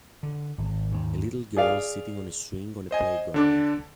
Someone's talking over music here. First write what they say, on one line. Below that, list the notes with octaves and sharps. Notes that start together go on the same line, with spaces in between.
A little girl sitting on a swing on a playground.
D3
G#1
D#2 G#2
G#4 D5 F5
C5 D#5 G#5
D3 D4 D6